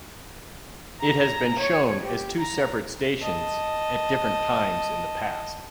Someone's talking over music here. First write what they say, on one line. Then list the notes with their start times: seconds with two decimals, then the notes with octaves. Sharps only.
It has been shown as two separate stations at different times in the past.
1.00 A#5
1.59 C#5
2.03 G4
2.39 A#5
3.22 D#5 A5